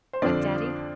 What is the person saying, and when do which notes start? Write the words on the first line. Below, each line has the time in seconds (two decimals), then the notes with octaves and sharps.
"What, daddy?"
0.13 C5
0.22 F2 D3 F3 D4 F4 D5